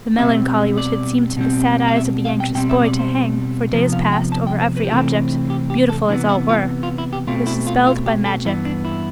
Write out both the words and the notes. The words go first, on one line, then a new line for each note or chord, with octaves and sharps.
The melancholy which had seemed to the sad eyes of the anxious boy to hang, for days past, over every object, beautiful as all were, was dispelled by magic.
B2 G3 C4 E5
D5
B2 G3 C4
F5
E5
F5
G5
B2 G3 C4 G5
E5
D5
C5
C3 F3 B3 B4
F5
G5
A5
G5
C5
B4
G4
C3 E3 A3 C4 A4
G4
G4
A4
C3 E3 B3 D4
E4
F4
F4
E4
G4
B2 A3 C4 F4
E4
F4
F4
G4
A4
G2 E3 B3 E4
D4
E4